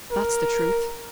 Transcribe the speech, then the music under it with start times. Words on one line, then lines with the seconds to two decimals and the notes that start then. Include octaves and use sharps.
That's the truth.
0.12 A#4